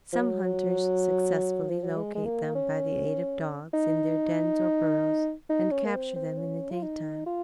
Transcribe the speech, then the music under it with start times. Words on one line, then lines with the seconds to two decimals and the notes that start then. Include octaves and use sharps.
Some hunters successfully locate them, by the aid of dogs, in their dens or burrows and capture them in the day-time.
0.13 F3
0.20 F#3
1.70 F3
1.84 F#3
1.97 G#3
2.15 G#3
2.25 A#3
2.55 C#4
3.74 D#4
5.50 D#4
5.72 C#4
5.85 A#3
5.95 C4
6.16 C4
6.38 C#4
6.71 F4
6.83 D#4
7.26 F4